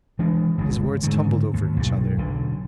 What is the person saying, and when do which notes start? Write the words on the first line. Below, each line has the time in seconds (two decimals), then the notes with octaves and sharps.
His words tumbled over each other.
0.19 E3 G#3 D4
0.58 G1 C#2 G#2 G#3
1.03 G#2 D3 D#3
1.53 D#2
1.77 B1 G2
2.18 B1 D3